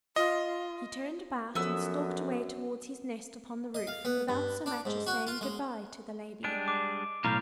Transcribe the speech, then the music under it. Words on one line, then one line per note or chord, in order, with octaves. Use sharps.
He turned about and stalked away towards his nest upon the roof, without so much as saying good-by to the lady.
F4 D#5
F#2 F3 B3 A4 E6
D#5
F5
B3
G2
D4
G#2
F#4
F4
G#3
G3 G#3 D4 D7
D6
B1 A2 F5 A#5 F6 G6